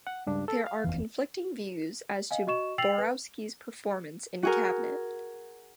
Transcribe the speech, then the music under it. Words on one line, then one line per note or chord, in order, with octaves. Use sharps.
There are conflicting views as to Borowski's performance in cabinet.
F#5
C#2 G2 D4
A4
F5
F1 E2 E3
D#5 F5 G#5
F#4 D#5 C#6 E7
G5 E6 A6 C7 F7 F#7
B4
F#4 G#4 A#4